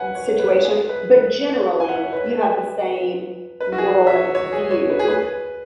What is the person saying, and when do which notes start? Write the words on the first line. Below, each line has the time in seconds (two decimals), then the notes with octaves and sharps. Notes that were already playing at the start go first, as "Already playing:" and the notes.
m situation, but generally you have the same world view.
Already playing: B4 C#5 F#5 G#5
0.15 C#5
0.39 B4
0.65 G#4
0.89 B4
1.14 B4
1.80 G#5
1.89 F#5
1.96 E5
2.04 C#5
2.13 B4
3.60 B4
3.72 F#4
3.78 G#4
4.07 E5
4.15 C#5
4.35 C#5
4.53 G#4
4.71 C#5
4.90 B4
4.99 G#4
5.08 B4